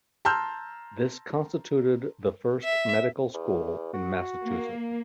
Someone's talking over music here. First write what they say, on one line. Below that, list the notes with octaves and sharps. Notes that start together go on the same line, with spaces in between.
This constituted the first medical school in Massachusetts.
A5 A#5 C6 E6 F6 G6
E5
E2
F#4
A#3